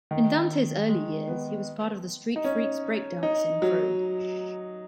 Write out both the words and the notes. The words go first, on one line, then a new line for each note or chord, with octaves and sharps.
In Dante's early years, he was part of the Streat Freaks breakdancing crew.
D#3
G#3
B3
D#4
C#4
D#4
F#3